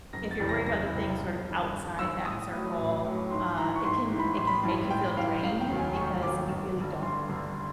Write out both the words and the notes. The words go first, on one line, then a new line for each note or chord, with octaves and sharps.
if you're worried about the things sort of outside that circle, uh, it can it can make you feel drained because you really don't
F#1 A#6
A6
E2 C3 E3
A#6
F#1 A#6
E2 C3 E3
G1
G2 D#3
G1
G2 D#3 E6
A1 D#6
A2 F#3
A1
A2 F#3
G#1 C6
G#2 E3 A#5
C#6
G#1 C6
G#2 E3
B5
A1 C6
B5
G2 E3
A1 G5
G2 E3 F5
F1 F5
G5
D#2 D#3 F#3
G#5
F1 C#6
D#2 D#3 F#3 D6
G1
G2 D3
G1 C6
G2 D3